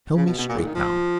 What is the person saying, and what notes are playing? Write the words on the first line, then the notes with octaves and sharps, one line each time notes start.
Tell me straight, now!
C#3
B2
B2
A#2
G#2
D#3
F3